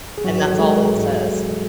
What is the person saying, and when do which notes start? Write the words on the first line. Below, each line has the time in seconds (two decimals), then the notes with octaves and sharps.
and that's all it says.
0.18 G#4
0.24 G#2 F#3 F#4
0.42 E3
0.54 A4
0.59 E3 G#3 G#4
0.76 G#2
0.93 G#2
1.10 E3
1.27 G#2